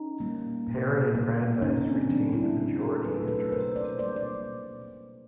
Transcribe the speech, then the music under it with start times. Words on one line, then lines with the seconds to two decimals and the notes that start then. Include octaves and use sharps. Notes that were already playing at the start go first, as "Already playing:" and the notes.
Perry and Brandeis retained majority interests.
Already playing: C#4 D#4
0.20 G3 A#3
0.67 A#2
1.15 G3 A#3
1.62 C#3 C#4 D#4
1.86 C4 D4
2.10 F#3 A3 C4 D4
2.33 D4 E4
2.57 C#3
2.81 F#4 G#4
3.04 F#3 A3 A4 B4
3.28 A4 B4
3.52 B2 A#4 C5
3.76 C5 D5
3.99 G3 A#3 C5 D5
4.16 D5